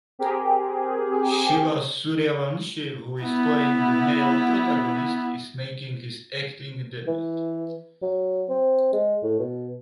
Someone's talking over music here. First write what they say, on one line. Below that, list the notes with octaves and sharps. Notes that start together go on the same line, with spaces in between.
Shiva Suryavanshi who is playing the male protagonist is making his acting debut.
C4 G4 G#4 A#4
B3 E4
E3
F#3
C4
G#3
A2
B2